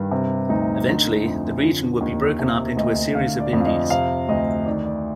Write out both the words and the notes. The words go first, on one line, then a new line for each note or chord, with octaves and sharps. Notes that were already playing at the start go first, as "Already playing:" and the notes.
Eventually, the region would be broken up into a series of Indies.
Already playing: G2 D#3
C3
D2 D#4
D3 D#4
F2
D3 F4
D#2 D#4
C3
D2 D#5
D3 F5
D5
F2
F5
D#5
C3 F5
D2 D#5
D#3 D5
D5